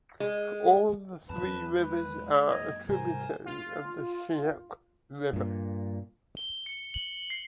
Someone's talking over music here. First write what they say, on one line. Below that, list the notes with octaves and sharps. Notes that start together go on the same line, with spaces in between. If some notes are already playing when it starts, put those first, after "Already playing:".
All the three rivers are tributary of the Shyok River.
G#3
E2 F#3 B4 A5
G#3 B4
F#2 A#2 D#5 G#6
G#2 C3 G3 A#4 C5 G#5
F4
G2 A#2
G7
C#7
F#7
C7